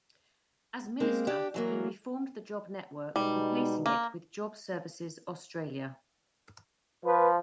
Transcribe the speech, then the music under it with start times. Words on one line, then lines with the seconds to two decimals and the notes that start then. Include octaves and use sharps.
As Minister he reformed the Job Network, replacing it with Job Services Australia.
1.00 G#3 A#3 C4
1.27 D4 G4
1.54 E3 F#3 A#3
3.16 B2 G3 G#3 D#4
3.86 A#3
7.06 F3 B4